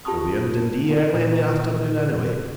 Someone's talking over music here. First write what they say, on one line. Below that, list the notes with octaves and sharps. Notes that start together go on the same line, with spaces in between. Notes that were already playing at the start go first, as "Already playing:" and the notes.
We'll be in Dundee early in the afternoon, anyway.
F4 G4 A5 B5 C#6 D#6
A#2